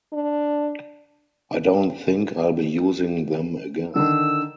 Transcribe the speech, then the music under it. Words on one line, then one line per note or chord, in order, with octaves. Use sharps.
I don't think I'll be using them again.
D4
D3 D#3 E6